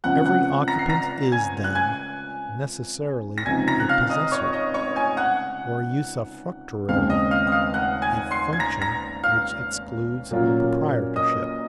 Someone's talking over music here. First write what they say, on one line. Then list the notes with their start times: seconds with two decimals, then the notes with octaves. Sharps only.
Every occupant is, then, necessarily a possessor or usufructuary,--a function which excludes proprietorship.
0.04 C#2 C#3 F3 C4 F#5 F#6
0.26 F#5 F#6
0.68 A#5 A#6
0.79 C7
0.89 A#5 A#6
1.32 G#5 G#6
1.64 F#6
1.75 G#5 G#6
3.38 A#6
3.46 C#2 C3 F3 C4 D#4 G#5 G#6
3.67 A#5 A#6
3.80 F#6
3.89 F5 F6
4.10 D#5 D#6
4.32 C#5 C#6
4.53 D#5 D#6
4.74 C#5 C#6
4.96 G#5 G#6
5.17 F#5 F#6
6.88 D#2 C#3 G#3 C4 F5 F6
7.10 D#5 D#6
7.31 F5 F6
7.47 D#6
7.52 F5 F6
7.74 F#5 F#6
8.02 G#5 G#6
8.31 C6 C7
8.53 G#6
8.60 A#5 A#6
8.81 A#5 A#6
9.24 F5 F6
10.31 A#2 F#3 C#4 F4 A#4
11.16 D#5 D#6